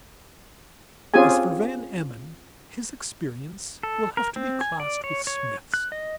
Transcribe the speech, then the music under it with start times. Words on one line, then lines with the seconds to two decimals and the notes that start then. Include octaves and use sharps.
As for Van Emmon, his experience will have to be classed with Smith's.
1.14 C4 C#4 F4 G4 G#4 G#5
3.83 A4
4.17 A#4
4.36 C4
4.61 G#5
4.80 D5
5.04 C#5
5.27 C#5
5.74 F#6
5.92 D#5